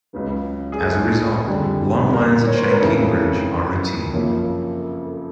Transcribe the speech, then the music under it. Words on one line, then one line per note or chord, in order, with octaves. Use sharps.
As a result, long lines at Shangqing Bridge are routine.
C#2 C#3 F#3 B4
G#4
A4
F2 D3 G3 G#4
A#4
C#5
C5
B4
A#4
F2 C#3 E3 A4
F#2 C#3 F3 A#3
A4
A4